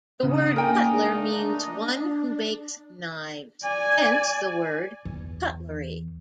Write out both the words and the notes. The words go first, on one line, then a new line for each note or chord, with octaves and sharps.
The word cutler means "one who makes knives", hence the word "cutlery".
C#3 A3 D#4 D5 F#5 D#6
A#3 D4 A#4 G5 G#5
D5 G#5
E2